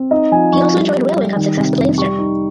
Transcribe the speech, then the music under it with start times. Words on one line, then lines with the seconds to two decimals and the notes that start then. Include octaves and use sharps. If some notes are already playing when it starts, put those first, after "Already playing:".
He also enjoyed Railway Cup success with Leinster.
Already playing: C4
0.11 D#4 D#5
0.31 F3 G#5
0.53 F3 C#6
0.74 G3
0.94 G3
1.15 G3
1.36 D#3
1.56 C3
1.77 F2
1.98 G3 C#6
2.19 D#4